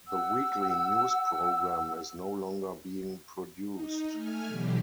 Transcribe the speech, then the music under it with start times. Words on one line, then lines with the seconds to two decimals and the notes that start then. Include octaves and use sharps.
The weekly news program is no longer being produced.
0.07 F#5 E6
3.70 D#4
4.12 A3 G#5 F6
4.47 B2 D3 E3 F#3 G4